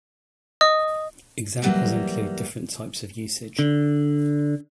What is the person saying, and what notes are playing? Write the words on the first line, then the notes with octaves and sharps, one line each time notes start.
Examples include different types of usage.
D#5 D#6
E3 F#3 G3 A#3
D3